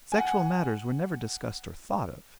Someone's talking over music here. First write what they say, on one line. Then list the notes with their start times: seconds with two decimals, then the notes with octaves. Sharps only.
Sexual matters were never discussed or thought of.
0.12 F#5 G#5